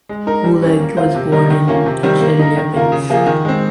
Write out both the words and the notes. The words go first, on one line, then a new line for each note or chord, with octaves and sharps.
Oleg was born in Chelyabinsk.
G#3
D#4 A#4
G3
C#4 G4
A#3
F4 C5
C3
G3 A#3 D#4 A#4
D#3
A#3 C#4 F4
C3
D#3 G3 C4
A#3
D#4 A#4
D#3
A#3 F4 A#4
C#3
F3 A#3 F4 G#4
D#3
G#3 C4